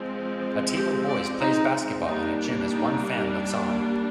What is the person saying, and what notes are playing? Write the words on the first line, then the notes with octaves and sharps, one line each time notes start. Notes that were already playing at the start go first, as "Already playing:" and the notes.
A team of boys plays basketball in a gym as one fan looks on.
Already playing: F3 G#3 C4
G4
D5
D#4
G3 A#3 D4 D#4
D#4